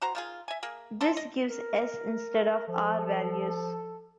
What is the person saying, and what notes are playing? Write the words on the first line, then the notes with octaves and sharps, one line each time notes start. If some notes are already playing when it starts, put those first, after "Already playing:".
This gives S instead of R values.
E3 F#4 C5 A#5
D#3 F4 G#4
E5 G#5
A#3 G#4 A#4
A#3 C4 A4 C6
D#5
A#4
F3 A4